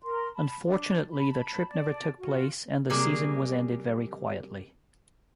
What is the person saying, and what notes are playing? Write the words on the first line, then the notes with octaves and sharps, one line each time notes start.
Unfortunately the trip never took place and the season was ended very quietly.
A#4 C6
A5 B5
D4
A5 B5
D5 A5
F4 F#4
C3 F#3 G3 A#3 G#4